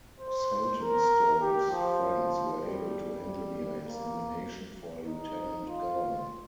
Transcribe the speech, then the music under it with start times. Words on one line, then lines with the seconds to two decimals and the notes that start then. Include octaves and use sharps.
Saltonstall's friends were able to engineer his nomination for Lieutenant Governor.
0.20 C5
0.80 A#4
1.41 G4
1.70 F3
2.63 G3
3.23 G3
3.84 A#3
5.05 D#4
5.66 F4